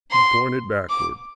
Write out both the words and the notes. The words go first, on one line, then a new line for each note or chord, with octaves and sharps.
He pointed backward.
C6
D6